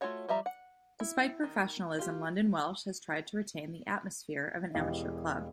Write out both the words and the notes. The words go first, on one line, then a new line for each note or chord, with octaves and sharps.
Despite professionalism, London Welsh has tried to retain the atmosphere of an amateur club.
A3 F4 F#4 C#5 F#5
F3 G3 E5 A#5
F#5
E4
D#3
F4 G4
E1 E3 G4 G#4 D#5 F5